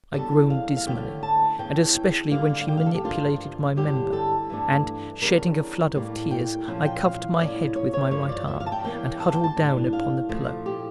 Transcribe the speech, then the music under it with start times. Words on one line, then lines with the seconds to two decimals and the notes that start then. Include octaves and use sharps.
I groaned dismally, and especially when she manipulated my member and, shedding a flood of tears, I covered my head with my right arm and huddled down upon the pillow.
0.13 E2 C#3 G3 D4 A4
0.50 F5
0.77 F5
0.86 D3 A3 C#4 E4 G5
1.23 A5
1.58 E2 C#3 E3 G5
1.95 G5
2.31 D3 G3 A#3 F5
2.61 F5
2.68 G5
2.77 F5
2.86 A4
2.94 G4
3.04 G2 F3 A#3 D4 F4
3.76 G2 D3 G3 C#4 E4 G4
4.13 A4
4.49 G2 E3 A3 D4
5.22 E2 C#3 G3 D4 A#4
5.95 A2 G3 A#3
6.31 G5
6.66 A#2 F3 C#4 E4
6.85 G5
7.03 F5
7.38 A2 F3 C#4 E4 D5
7.76 C#5
7.94 C#5
8.11 G2 F3 A#3 E4 C#5
8.29 D5
8.48 E5
8.60 F5
8.66 A5
8.72 G5
8.84 E2 E3 A#3 C#4 E4 G5
9.20 A5
9.33 G5
9.44 A5
9.56 A2 G3 D4
9.93 F5
10.29 A#2 F3 A3 E4
10.66 G4